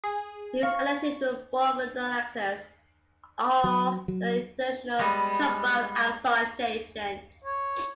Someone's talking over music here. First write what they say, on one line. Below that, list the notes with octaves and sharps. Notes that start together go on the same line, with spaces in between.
He was elected to the Board of Directors of the International Trombone Association.
G#4
F5 C#6
F#3
F#3
G3 G#3 B3
C#5